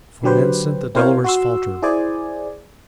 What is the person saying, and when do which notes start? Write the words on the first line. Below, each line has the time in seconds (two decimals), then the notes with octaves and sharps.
For an instant the Delawares faltered.
0.23 D3 F#3 G4 B4 C5
0.95 C4 E4 A#4 C5 C#5 F5
1.24 F#4 C6 E6
1.82 E4 G#4 C5 D5 G#5